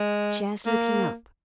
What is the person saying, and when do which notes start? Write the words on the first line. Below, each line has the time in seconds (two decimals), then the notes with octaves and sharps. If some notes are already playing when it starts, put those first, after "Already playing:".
Shares looking up.
Already playing: G#3
0.66 A#3